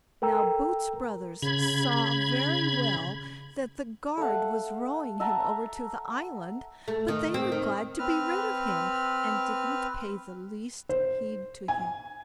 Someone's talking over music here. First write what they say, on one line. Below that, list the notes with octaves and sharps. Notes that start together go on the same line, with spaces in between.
Now Boots' brothers saw very well that the guard was rowing him over to the island, but they were glad to be rid of him, and didn't pay the least heed to him.
A4 A#4 G5 A#5 E6
C#3 B5 G#6
A3 F5 F#5
E5 F#5 A5 A#5
A3
D#3
C4
D#3
C4 B4 F6
C5
G#5